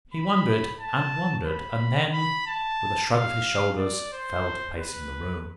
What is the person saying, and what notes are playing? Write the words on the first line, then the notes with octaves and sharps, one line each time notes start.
He wondered and wondered, and then, with a shrug of his shoulders, fell to pacing the room.
B5
A5
B5
B5
A5
F5
D5
C5
B4